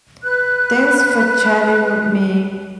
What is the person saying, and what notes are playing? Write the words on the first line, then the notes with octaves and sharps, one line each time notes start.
Thanks for chatting with me.
B4 F#6